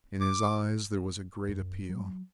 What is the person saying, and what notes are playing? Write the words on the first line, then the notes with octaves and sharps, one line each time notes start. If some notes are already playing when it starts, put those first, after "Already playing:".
In his eyes there was a great appeal.
D6
F#2
F#3